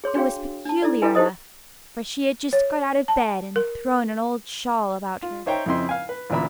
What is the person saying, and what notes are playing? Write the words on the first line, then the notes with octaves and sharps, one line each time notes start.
It was peculiar enough, for she had just got out of bed and thrown an old shawl about her.
G#4 C#5 C6 D6
D4 F#4 G#4 C#5 F5 G5
D4 A5
D#4 E4 A4 D5
E4 A4 B4 E5 G#5 C6
D#4 G4 A4 C5 D#5 D#6
C#5
A5
A#4
F4
D#4 C5 C#5 E5 G5 A#5
F2 C#3 C4 E4 D#5 C6
F5 G#5
B4
A1 D2 A#2 E5 B5